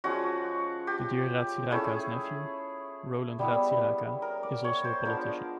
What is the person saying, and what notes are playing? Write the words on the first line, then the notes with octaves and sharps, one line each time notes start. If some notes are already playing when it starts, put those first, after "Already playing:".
Didier Ratsiraka's nephew, Roland Ratsiraka, is also a politician.
F3 G#3 C#4 F#4
G4
A3 C#4 E4 G#4
G3 B3 E4
A#4
D5
C#5
C5
F3 G#3 B3 D4 A#4